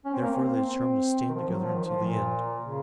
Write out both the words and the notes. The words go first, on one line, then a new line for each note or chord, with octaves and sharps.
Therefore, they determined to stand together until the end.
C#4
C4
A#3
C4
C4
D#3
F3
F#3
F3
D#3
F3
A#2
C#3